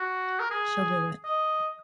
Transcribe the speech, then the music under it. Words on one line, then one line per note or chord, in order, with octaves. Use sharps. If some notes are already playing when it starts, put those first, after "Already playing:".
She'll do it.
Already playing: F#4
A#4
G#4
D#5